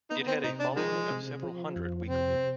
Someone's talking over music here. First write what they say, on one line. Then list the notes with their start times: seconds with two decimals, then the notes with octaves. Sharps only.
It had a following of several Hundred weekly.
0.10 B3 D#4
0.28 C4
0.44 C3 D#4
0.60 D4
0.77 D#3 F3 G#3
1.10 C3
1.43 F3
1.76 F2
2.09 C3 C4